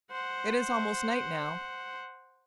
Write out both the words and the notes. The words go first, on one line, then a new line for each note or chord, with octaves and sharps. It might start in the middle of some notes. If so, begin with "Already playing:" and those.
It is almost night now.
C5 F#5